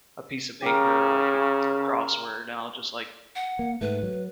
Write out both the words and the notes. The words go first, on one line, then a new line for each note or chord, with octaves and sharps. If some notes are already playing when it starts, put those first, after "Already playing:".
a piece of paper, like, if it's a crossword, and I'll just, like,
C#3 G4 A#4
F#5
A#3
G#2 A3 B4
F#3